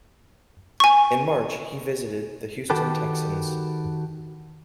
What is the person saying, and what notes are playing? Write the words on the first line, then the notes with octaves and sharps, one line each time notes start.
In March, he visited the Houston Texans.
G#5 C#6
D#3 F#4 G4 A4 B4